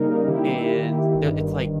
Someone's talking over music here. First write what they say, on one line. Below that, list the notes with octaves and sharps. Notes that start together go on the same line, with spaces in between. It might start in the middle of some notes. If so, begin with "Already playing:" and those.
and they'll it's like,
Already playing: C#3 G3 A#3 D#4 A#4
D#3 A#3 E4 G4
G1 G2 D#3